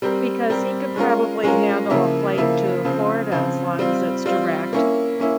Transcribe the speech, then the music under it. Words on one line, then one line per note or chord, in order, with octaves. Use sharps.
because he could probably handle a flight to Florida as long as it's direct.
G3 C4 G4 A#4
G3 C4 G4 A#4
G#3 C#4 F4 A#4
G#3 C#4 F4 A#4
C#3 F3 A#3 E4
C#3 F3 A#3 E4
C#3 F3 C4
C#3 F3 C4
G3 C4 F4
G3 C4 F4
A#3 C#4 E4
A#3 C#4 E4